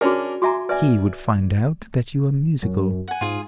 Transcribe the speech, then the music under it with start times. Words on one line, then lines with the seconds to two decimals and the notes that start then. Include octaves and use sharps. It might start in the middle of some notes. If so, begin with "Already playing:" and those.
He would find out that you are musical.
0.01 C#4 D4 F#4 G#4 A#4
0.42 F#4 E5 G#5 A#5 C6 D6
0.69 B4 D5 E5 G#5
2.63 F#2
3.08 F#5 G#5
3.21 G#2 F4 G#4